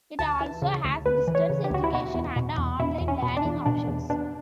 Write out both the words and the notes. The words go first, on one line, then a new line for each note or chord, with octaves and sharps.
It also has distance education and online learning options.
D2 A5
E3
C#3
D2
D2 B4
E3
C#5
C#3
G4
D2 F#4
E4
B2 F#4
E2
B2
E2
B2 E4
E2
C#4
B2
D4
E2
B2 D4
E2
B2 D4